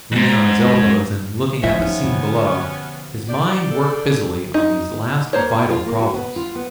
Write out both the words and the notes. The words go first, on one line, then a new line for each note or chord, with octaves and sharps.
Leaning on his elbows and looking at the scene below, his mind worked busily on these last vital problems.
F2 G#2
F3 C#4 D#4 F4 E5
C3 B3 C#4 D#4
B2 D3
D4 G4 D5
A4
D#4
A#3 C5 C#5
F4
A#3
F#4
B3
F4
B3